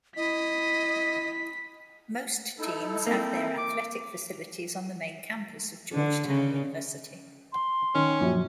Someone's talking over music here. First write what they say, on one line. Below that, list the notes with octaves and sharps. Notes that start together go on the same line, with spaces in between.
Most teams have their athletic facilities on the main campus of Georgetown University.
E4 D#5 B6
D#4 E4 A4
A#3 C4
D6
D3
C#3
C6
D#3 C#4
A#1 F#2